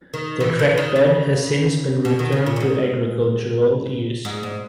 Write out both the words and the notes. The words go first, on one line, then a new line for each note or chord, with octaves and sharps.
The trackbed has since been returned to agricultural use.
D#3
E3
E3
D#3
C#3
B2
D#3
C#3
A#2
F#2
G#2
G#2
G#2